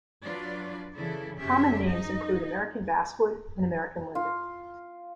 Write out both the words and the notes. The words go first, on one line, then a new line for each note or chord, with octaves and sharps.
Common names include American basswood and American linden.
F#3 D4 F4 B4 D5
C#3 E3 E4 A4 D5
F#2 C#3 C#4 G4 E5
D#4 D#5
F4